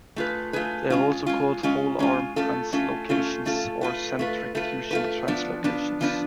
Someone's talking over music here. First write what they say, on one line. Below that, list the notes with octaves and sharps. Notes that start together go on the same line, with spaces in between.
They are also called whole-arm translocations or centric-fusion translocations.
A3 F4 G#4 B4
A3 F4 G#4 B4
G#3 C#4 F4
G#3 C#4 F4
G#3 C#4 F4
G#3 C#4 F4
A3 C#4 F4 A4
A3 C#4 F4 A4
A3 C#4 F4 A4
A3 C#4 F4 A4
A3 F4 B4
A3 F4 B4
A3 F4 B4
A3 F4 B4
F3 B3 D4
F3 B3 D4
F3 B3 D4